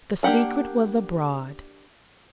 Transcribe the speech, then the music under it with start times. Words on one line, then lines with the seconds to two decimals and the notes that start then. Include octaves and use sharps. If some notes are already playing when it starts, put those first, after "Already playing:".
The secret was abroad.
0.23 A#3 D4 G4 F#5 A5